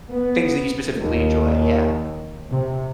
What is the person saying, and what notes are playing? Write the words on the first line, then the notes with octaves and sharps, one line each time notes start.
Things that you specifically enjoy, yeah.
B3
D#2
C3